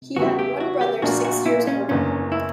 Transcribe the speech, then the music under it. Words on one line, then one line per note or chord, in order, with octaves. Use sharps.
He had one brother six years older.
E2 C#3 G3 B3 E4 F#4
G4
F#4
G4
A#1 A#2 A#3 D4 F#4
F#4
E4
C#4
F#1 E2 D3 C#4
E4